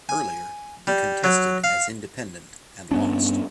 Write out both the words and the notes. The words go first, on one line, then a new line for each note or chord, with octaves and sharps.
Earlier he contested as Independent and lost.
G#5
G3
F#3
F5
G2 B3 C#4 D4